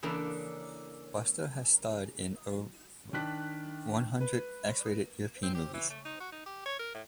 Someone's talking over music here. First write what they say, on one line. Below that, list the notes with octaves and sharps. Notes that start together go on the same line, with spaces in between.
Buster has starred in over one hundred X-rated European movies.
C#3 E3 A#3 D4 A4 A#4
D#3 D4 F#6 B6
B4
C4
G4
E3
A3
D#4
F#4
D#4
G4
C#5
A#4
A2